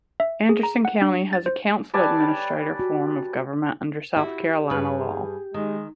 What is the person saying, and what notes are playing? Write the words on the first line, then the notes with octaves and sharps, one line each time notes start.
Anderson County has a Council-Administrator form of government under South Carolina law.
E5
G#4
A#5
F#5
D4
A6
C5
G3 B4 C#5 D5 G#5 A5
F#4
E4 F#4 G4
G2 G#4 B4
D#3 G#3